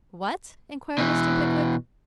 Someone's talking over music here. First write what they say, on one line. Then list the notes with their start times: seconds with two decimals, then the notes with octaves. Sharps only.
'What?' inquired Mr. Pickwick.
0.98 B2 E3